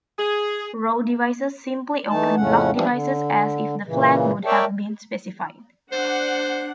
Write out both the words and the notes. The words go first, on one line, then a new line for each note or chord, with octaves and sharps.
Raw devices simply open block devices as if the flag would have been specified.
G#4
E3 A3 D#4 A5
F2 A2 C#3 A3 C#4 F#5
E3 F3 G3 C4 D4
D3
A#2 C#3 E3
A#4 C#5 D5 E5 G5 A5
D4 C5 F#5